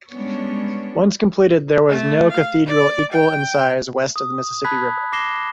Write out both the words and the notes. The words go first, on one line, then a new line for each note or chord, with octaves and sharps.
Once completed, there was no cathedral equal in size west of the Mississippi River.
G3 G#3 B3 C#4 D4 C#5
A3
F5
D5
G5
D#6
A5 B5 F#6 G#6 B6
D6 A#6 C7 E7 G7